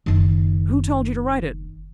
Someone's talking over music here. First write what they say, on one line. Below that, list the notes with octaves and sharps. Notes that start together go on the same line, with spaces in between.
'Who told you to write it?'
F#1 D#3